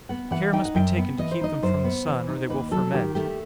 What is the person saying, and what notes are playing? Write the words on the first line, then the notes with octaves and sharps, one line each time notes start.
Care must be taken to keep them from the sun, or they will ferment.
B3 F#5
E3 F#5
D#4 G5
F#5
F#2 G5
B3
E3 D#5
C5
D#4 D#5
F#2 C5
B3
E3
D#4
D#2 B4
F#3 A4
D#3 G4
A3 G4